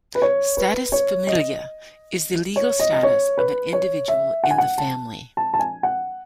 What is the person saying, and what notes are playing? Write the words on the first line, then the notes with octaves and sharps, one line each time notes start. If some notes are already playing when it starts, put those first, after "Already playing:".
"Status familiae" is the legal status of an individual in the family.
B4
C#5
B4
C#5
D#5
C#5
D#5
D#5
C#5
B4
C#5
E5
F#5
G#5
F#5
A5
A5
A5
G#5
F#5